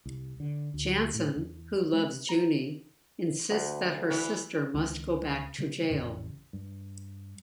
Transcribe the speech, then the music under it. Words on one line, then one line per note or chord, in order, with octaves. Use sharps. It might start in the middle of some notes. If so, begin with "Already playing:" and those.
Jansen, who loves June, insists that her sister must go back to jail.
C2
D3
D2
A2
E2
G#3
A#5
D2
E3
C#2 D#3
C#3 G3
A1 F2 C#3 C#4
G2